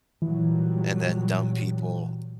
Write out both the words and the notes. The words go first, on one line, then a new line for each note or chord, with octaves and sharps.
and then dumb people
A#2 E3 F#3 G3